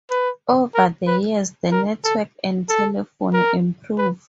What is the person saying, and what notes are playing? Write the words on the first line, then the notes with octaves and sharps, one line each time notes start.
Over the years, the network and telephony improved.
B4
A#4
B4
A#4
A4
A4
A#4
B4